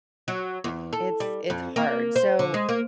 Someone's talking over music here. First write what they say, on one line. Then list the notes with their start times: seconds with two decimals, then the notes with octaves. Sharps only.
It's it's hard. So
0.28 F#3
0.64 E2
0.93 A4
1.20 G3
1.50 F2
1.76 A#3
2.16 C5
2.39 D3
2.54 G#3
2.69 A#3